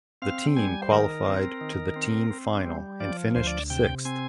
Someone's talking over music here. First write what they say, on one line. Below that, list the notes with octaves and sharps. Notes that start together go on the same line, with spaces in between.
The team qualified to the team final and finished sixth.
C4 F5
G3 G#5
C5
D#3 A#4
C4
D#3
C4
C4
G3
F3 D5
D2 C5
D5
C3 G5
C4 G#5